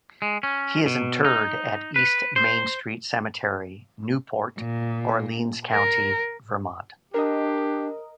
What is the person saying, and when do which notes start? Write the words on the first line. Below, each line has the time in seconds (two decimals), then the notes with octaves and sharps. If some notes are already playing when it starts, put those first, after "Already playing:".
He is interred at East Main Street Cemetery, Newport, Orleans County, Vermont.
0.22 G#3
0.43 C#4
0.86 B2
1.25 D#4
1.96 B4
2.36 C5
4.60 A#2
5.71 A#4
7.14 D4 G4 A#4 D#5